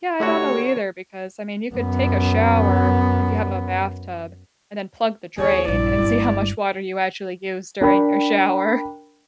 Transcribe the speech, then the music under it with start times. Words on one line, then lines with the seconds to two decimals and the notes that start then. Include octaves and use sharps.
Yeah, I don't know either, because I mean, you could take a shower if you have a bathtub, and then plug the drain, and see how much water you actually use during your shower.
0.20 D3 A3 E4 F#4 G4 A4 C#5
1.75 F#2 B3
5.38 D#2 G#4 C#5
5.68 A#1 G2 E4 D5
5.98 G1 G2
7.81 D4 A#4 G5 B5